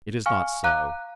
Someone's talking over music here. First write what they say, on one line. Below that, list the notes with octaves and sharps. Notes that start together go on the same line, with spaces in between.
It is not so.
F5 G#5 C#6 F6
F5 A#5 D6 F#6